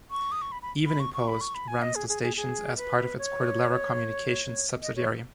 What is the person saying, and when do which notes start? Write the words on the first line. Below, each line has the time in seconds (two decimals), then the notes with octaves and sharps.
Evening Post runs the stations as part of its Cordillera Communications subsidiary.
0.11 C#6
0.32 D#6
0.42 C#6
0.52 B5
0.62 B5
0.86 B5
1.00 C#6
1.14 C#6
1.28 B5
1.41 C#6
1.55 B5
1.68 G#5
1.82 D#5
1.95 G#4
2.09 G#4
2.23 G#4
2.36 G#4
2.77 B4
3.18 C#5
4.82 D#5
4.96 C#5